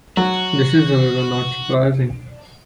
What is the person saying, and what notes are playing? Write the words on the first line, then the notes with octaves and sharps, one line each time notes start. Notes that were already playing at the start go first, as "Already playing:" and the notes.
This is, however, not surprising.
F#3 F#4